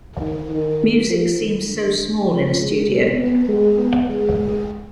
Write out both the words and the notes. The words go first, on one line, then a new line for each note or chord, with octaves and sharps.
Music seems so small in a studio.
D#3
D#3
F3
D#3
D3
F3
G#3
B3
G#3
B3
G#3
G#3